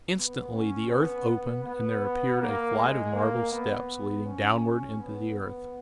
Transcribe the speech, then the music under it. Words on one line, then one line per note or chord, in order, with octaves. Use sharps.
Instantly the earth opened, and there appeared a flight of marble steps leading downward into the earth.
B3
C#4
B3
B3
B3
A#3
G#3
A#3
B3
C#4
B3
B3